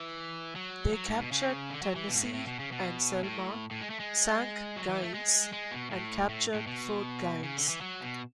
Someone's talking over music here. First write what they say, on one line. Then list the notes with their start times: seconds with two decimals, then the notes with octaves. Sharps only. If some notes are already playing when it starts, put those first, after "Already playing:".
They captured "Tennessee" and "Selma", sank "Gaines", and captured Fort Gaines.
Already playing: E3
0.56 F#3
0.93 F#3
1.06 G#2
1.20 B2
1.32 C#3
1.70 D3
1.83 F#3
1.96 E3
2.08 B2
2.15 G#2
2.21 A2
2.33 A2
2.47 B2
2.60 C#3
2.72 B2
3.24 A2
3.71 A2
3.81 G#3
3.90 A3
4.00 G#3
4.76 F#3
4.89 E3
5.02 A3
5.14 G#3
5.53 G#3
5.71 B2
5.91 A2
6.29 A2
6.54 A2
6.67 B2
7.44 C#3
7.56 D3
7.69 E3
7.81 F#3
8.01 B2